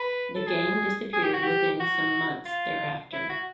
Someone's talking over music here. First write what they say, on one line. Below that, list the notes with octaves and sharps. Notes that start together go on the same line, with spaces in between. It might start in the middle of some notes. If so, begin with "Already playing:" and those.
The gang disappeared within some months thereafter.
Already playing: B4
A4
G#4
G#4
G4
F#4
G4
F#4
F4
E4
F#4